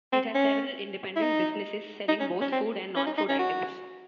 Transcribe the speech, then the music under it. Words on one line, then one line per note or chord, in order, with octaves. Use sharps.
It has several independent businesses, selling both food and non-food items.
C4
C#4
E4
D#4
D#4
C#4
C#4
C4
C#4
D#4
D#4
C#4
F#4